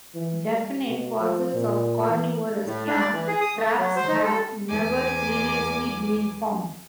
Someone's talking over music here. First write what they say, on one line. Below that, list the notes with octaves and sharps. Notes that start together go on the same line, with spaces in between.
Definite fossils of carnivorous plant traps have never previously been found.
E3
G3
B2
F3
A#2
E3
A2
D4
D5
E3
G#4
D#6
A3
F#3
C5
D#4
A4
E2 G#5 D6